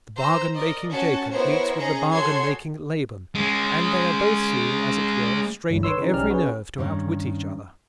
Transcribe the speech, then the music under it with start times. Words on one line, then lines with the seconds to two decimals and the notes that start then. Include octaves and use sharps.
The bargain-making Jacob meets with the bargain-making Laban, and they are both seen as it were, straining every nerve to outwit each other.
0.17 C5 A#5 E6
0.54 A#4 D5 D#5
0.90 C#4 F#4 A5
1.31 B3 E4 F#4 A#4 C5 C#5
1.78 C#4 D#4 G#4 A#5
2.10 F#4 G#4 A4 C#5 C6 G#6
3.35 G#3 C#4
5.69 G1 C#2 G2 F#3
5.83 B4 C#5 C6 E6
5.98 C#3 E3 D#4
6.13 B1 C#4 D#4 G4 D5 F6
6.30 C#4 F#4 G#4 B4
6.78 G2 D#3 C#4